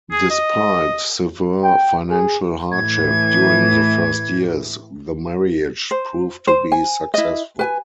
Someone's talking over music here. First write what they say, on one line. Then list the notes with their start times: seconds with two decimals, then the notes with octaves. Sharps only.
Despite severe financial hardship during the first years, the marriage proved to be successful.
0.12 G#4
0.30 D#5
1.63 G5
2.11 G#4
2.72 A2 E3 G#6
5.91 C5
6.47 C5
6.72 G#5
7.14 E4 D#5
7.59 B4 G#5